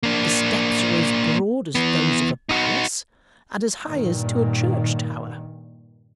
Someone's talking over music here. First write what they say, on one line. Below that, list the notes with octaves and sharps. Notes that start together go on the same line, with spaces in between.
The steps are as broad as those of a palace, and as high as to a church tower.
A#3 D4
E3 B3
D#4 F#4
G2 A#2 D#3